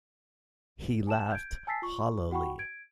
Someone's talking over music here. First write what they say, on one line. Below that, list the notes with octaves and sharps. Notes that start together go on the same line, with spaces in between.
He laughed hollowly.
G#5 A5 E7
G6 G#6 D7
G#5 A5 E6 A6 B6 C7
F4 C#6
F#4 F#5 G5 B5 C#6
G#6 D7